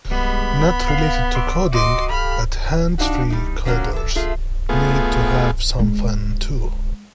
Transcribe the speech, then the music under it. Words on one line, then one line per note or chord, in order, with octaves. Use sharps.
Not related to coding, but hands-free coders need to have some fun too.
G3 G#3 B3 B5
F5
D5 E5 C6
F#4 D#5 C6 D6
G4 A4 F5 B5 F6
D4 D#4 F4 F#4
G3 D#4
A#2 D3 F3 C#4 F#4 A#4
E3 A4
A3 F4 G#4
A3 B3 F4 G#4
G#3